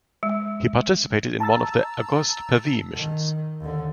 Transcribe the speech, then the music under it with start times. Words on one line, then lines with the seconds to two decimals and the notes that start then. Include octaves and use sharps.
He participated in one of the Auguste Pavie missions.
0.23 G#3
1.40 A5 A#5 E6 A6
2.95 D#3
3.60 D#2 D3